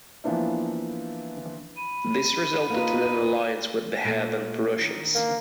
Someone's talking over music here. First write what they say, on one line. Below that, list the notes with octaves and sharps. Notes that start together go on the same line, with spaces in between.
This resulted in an alliance with the heathen Prussians.
E3 F3 A#3 B3 D4 E4
B5 D#7
A#3 B3 D#4 F4 B4
A#2 A3 A4
D#3 D4
A#3